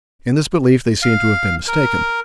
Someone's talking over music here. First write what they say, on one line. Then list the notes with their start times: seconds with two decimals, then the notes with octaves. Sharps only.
In this belief they seem to have been mistaken.
1.02 F5
1.68 A#4